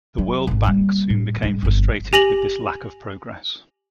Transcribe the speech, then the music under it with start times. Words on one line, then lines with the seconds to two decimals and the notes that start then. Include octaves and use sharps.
The World Bank soon became frustrated with this lack of progress.
0.18 F#3
0.47 D1 G#1
0.67 G3 A#3
1.10 A2
1.42 G#2 G3
1.63 G1 F2
2.13 G4 G#5 A#6 F7 F#7